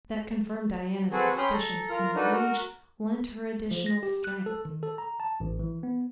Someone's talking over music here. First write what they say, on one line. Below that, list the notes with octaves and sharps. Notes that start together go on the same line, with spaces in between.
That confirmed Diana's suspicions and rage lent her additional strength.
C4 F#4 G#4 A4 B4
C#4 G5 B5 C6 D#6 F6
A4 A#5
F4 A#4 A#5 F6
D4 D#4 F#4 A4 B4
F#4 A#4
F3
A#6
G4
F#6
A4
D#3
A4
A#5
A5
A1
E3
B3